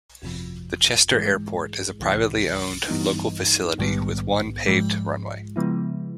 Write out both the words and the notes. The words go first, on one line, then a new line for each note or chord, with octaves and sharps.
The Chester Airport is a privately owned local facility with one paved runway.
G1 F2 C3 F3
G#2 E3 G#3
C2 C3 E3
G2 E3 G3 B3 D#4
A#1 G#2 D#3 G3 B3
G#2 F3 G#3
C#3 F3 G#3 B3 E4